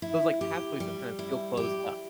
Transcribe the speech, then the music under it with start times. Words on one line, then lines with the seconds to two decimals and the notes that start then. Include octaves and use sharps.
Those, like, pathways are kinda feel closed up.
0.02 E4
0.41 G4
0.80 G3
1.19 E4
1.57 G4